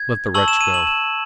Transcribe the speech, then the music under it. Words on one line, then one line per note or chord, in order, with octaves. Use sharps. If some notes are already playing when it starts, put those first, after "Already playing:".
Let the wretch go.
Already playing: G#6
A5 C#6 E6 F#7
E7
D#7
F#7
E7